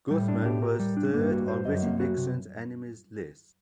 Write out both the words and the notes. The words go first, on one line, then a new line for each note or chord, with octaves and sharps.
Guthman was third on Richard Nixon's Enemies List.
A2 G3
D4
G4
A#4
G3
D4
G2 A#3
F#4
C5
F#2 D#5
A#3
F#4
C3